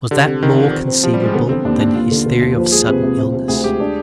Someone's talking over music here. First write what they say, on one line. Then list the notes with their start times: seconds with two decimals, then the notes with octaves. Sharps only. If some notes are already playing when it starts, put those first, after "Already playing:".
Was that more conceivable than his theory of sudden illness?
0.11 D3 G4
0.27 C3
0.42 C3 D#3
0.58 F3
0.73 C4
0.88 C4
1.03 F3 G4
1.14 G3
1.19 G#3 C4
1.34 D3 B3
1.49 D3 C4
1.65 D#2 D4
1.80 D#2 D4
1.95 D#2 F4
2.11 D3
2.26 D3
2.42 D#2
2.57 F3 B4
2.72 G#3 G#4
2.88 C3 B4
3.03 C3
3.19 C3
3.33 C3
3.48 D2 G#4
3.64 G#3 G4
3.80 D4